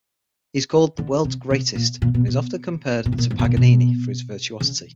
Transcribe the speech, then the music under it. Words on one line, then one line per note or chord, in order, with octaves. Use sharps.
He's called 'the world's greatest' and often compared to Paganini for his virtuosity.
D3
C3
C3
A#2
A#2
B2
B2
B2
A2
A#2
G#2
B2
A#2
B2
C#3